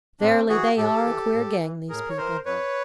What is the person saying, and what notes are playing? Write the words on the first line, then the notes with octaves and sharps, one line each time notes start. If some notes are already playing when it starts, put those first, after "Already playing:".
Verily, they are a queer gang, these people.
A2 C4 D4
E3 F#4 G#4
A2 G4 A4
E3
A2
E3
A2 G#4 A#4
C#5
E3 A#4 C5
F2 B4 C#5